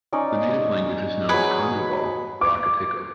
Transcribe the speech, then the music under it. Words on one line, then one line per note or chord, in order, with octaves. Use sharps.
The native language is known as Kanjobal or akateco.
C#4 D#4 D5
F#3 G#4 B4 G#5
D6